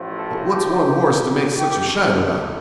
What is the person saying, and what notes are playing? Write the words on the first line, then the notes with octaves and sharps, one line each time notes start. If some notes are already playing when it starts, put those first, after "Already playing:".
But what's one horse to make such a shine about?'
Already playing: A1 A2 F3
A4
G4
G4
A3
C2 C3 G3